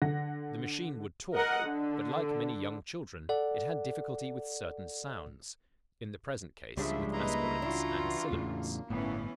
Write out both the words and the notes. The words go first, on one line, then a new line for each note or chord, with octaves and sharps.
The machine would talk, but, like many young children, it had difficulty with certain sounds--in the present case with aspirants and sibilants.
D3 F#5 A#6
A#4 D#5 F#5
D3
A4 D5 F#5
C#2 F3 G3 G#3 A#3 D4 E5
A#3 E4 B4 D#5 A#5 C6
E3 D4 F4 F#4
E2 A2 C#3 A#3
G1 A2 E3 B3 C#4